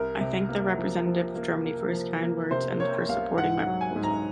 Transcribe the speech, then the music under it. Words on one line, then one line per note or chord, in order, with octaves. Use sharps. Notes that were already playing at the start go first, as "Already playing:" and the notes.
I thank the representative of Germany for his kind words and for supporting my proposal.
Already playing: C2 A#4
C3
A#3
F3
F3
A#3
A#3
F3
A#3
C3 C5
A#3 C#5
C2 F5
G#2 F#5
F#5
F#3
G#5
G#2
A#5